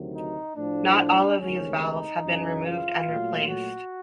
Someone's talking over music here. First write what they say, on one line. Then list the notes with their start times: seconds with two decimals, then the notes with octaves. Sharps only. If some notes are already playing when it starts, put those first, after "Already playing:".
Not all of these valves have been removed and replaced.
Already playing: D2 C3 D#3 F#3
0.14 D#4
0.55 A2 F3 A3 D4
1.39 D2 C3 D#3 G#3 C#4
1.80 D#4
2.23 F#2 C#3 E3
2.64 F4
3.06 A#2 F#3 A3
3.48 F#4